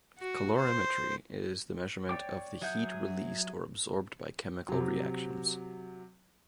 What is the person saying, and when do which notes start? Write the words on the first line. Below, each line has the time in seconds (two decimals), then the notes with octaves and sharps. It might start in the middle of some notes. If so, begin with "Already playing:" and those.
Calorimetry is the measurement of the heat released or absorbed by chemical reactions.
0.19 F#4
0.57 C5
2.09 C#5 D5 G5 D6
2.62 F#3 G#4 E5 F#5 G6
4.69 C3 F#3